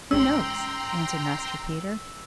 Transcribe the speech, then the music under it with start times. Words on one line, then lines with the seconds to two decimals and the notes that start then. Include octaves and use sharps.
'Who knows?' answered Master Peter.
0.11 A1 G#2 C#4 G5 A#5 C6 E6